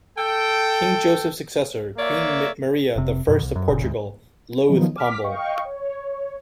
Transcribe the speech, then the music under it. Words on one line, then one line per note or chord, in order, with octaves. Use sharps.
King Joseph's successor, Queen Maria the First of Portugal, loathed Pombal.
A4 G5
A#3 C#5 D5 E5
F1 C3
F#2 B2 D#3
C2
F#2
F1 A#2 C#3
D2 G#2
D#3 F3 F#3 B3 D#4
D6 F6 B6
D#5 F5 G5 C#6
C#5